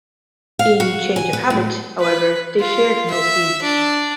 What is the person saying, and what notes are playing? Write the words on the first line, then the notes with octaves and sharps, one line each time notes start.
In "Change of Habit", however, they shared no scenes.
F5
F#4
G#5
B4
A2
B4
F4
E5
D4